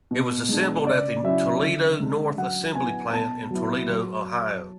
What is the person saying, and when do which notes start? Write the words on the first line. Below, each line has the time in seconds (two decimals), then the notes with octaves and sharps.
It was assembled at the Toledo North Assembly Plant in Toledo, Ohio.
0.11 B2
0.49 G#3 D4
0.87 C#3 D5
1.23 F#3 C#4 E4 E5
1.62 D3
2.00 G#3 D4
2.37 F#3 F#5
2.75 B3 E4 G#5
3.13 B2 A5
3.51 F#3 B3 E4
3.89 F#3